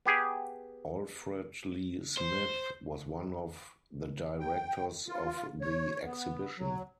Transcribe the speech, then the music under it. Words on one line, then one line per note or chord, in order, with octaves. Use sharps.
Alfred Lee Smith was one of the directors of the exhibition.
B3 G4 G#4
C5
G5
F4
C#5
B3
F#3